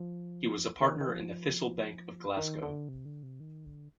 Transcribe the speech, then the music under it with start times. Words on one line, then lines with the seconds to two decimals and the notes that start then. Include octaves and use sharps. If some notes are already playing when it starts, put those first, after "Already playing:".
He was a partner in the Thistle Bank of Glasgow.
Already playing: F3
0.82 D#3
1.01 D#3
1.08 F3
2.37 D#3
2.63 D3
2.89 C3
3.05 D3
3.23 C3
3.40 D#3
3.65 D3